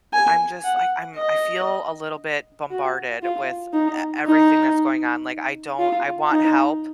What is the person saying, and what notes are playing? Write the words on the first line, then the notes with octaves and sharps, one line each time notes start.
I'm just, like, I'm I feel a little bit bombarded with e everything that's going on, like, I don't I want help,
G#5
F#5
D#5
F#4
F4
D#4
D#4
F4
D#4